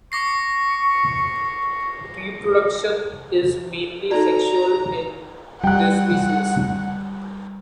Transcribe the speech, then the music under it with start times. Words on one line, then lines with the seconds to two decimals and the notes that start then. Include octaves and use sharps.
Reproduction is mainly sexual in this species.
0.12 C#6 D6 A#6 C7
4.11 D#4 F#4 A4 D5 A#5
5.64 G3 F#5 G5 F#6